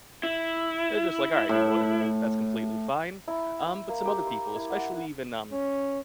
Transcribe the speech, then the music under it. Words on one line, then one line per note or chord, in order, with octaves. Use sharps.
they're just like, "Alright, you know, whatever, man, that's completely fine," um, but some other people, especially even, um,
E4
A2
E4
C6
A#3
G4
C6
E4
F#5
F#5
C#4